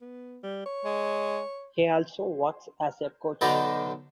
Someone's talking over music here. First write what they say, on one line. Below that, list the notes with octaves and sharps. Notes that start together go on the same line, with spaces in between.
He also works as a coach.
B3
G3
C#5
G#3
B1 D3 B3 D#5 G5 A5